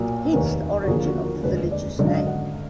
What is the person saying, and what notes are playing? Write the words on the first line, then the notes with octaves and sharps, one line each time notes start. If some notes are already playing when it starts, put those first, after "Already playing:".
Hence, the origin of the village's name.
Already playing: B1 A#2 F#3 A#3
F1 D#2 D#3 A#3 B4
F#4
D#2 D3 F3 A#3 G#4
F#4
A#4
F1 D#2 D3 G#3 B4
D5
G#1 F#2 D3 F#3 D#5
F5
D#5
F#5